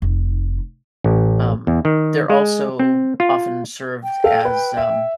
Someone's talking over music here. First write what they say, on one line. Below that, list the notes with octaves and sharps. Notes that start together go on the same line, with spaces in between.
Um, they're also often served as, um
F1 D#4
A1
E2
D#3
G#3
C4
F4
G5
A4 F5
B4
E5